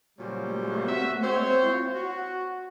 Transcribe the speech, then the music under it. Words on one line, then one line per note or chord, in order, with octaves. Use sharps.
A live manure-cart?
A#2 C#3 F#3 G3 C#4 C5
F#4 E5
C4 C5 C#5
F#4